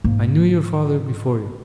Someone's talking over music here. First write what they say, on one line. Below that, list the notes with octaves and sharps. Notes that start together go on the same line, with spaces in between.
I knew your father before you.
G#2 A#3